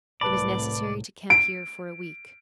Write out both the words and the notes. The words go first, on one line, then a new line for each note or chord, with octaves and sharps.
It was necessary to camp here for a week.
C2 A2 B4 D5 A5 B5
D7